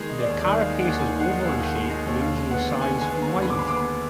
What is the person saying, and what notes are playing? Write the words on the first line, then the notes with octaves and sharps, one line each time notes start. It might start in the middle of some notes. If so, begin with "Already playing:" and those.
Their carapace is oval in shape, ranging in size from wide.
Already playing: D#3 G#3 G#4
D#4
D5
D#2
D#3 D5
G#3 F5
D#4
F#5
D#2
F#5
D#3 G#5
G#3 F#5
D#4
D#2 F#5
F5
D#3
F#5
G#3
D#4
D#2
D3 F5
G#3
B3 F#5
D#2
D3 G#5
G#3
G#5
B3
D#2 A#5
D3 B5
D6
G#3 B5
D6
B3 B5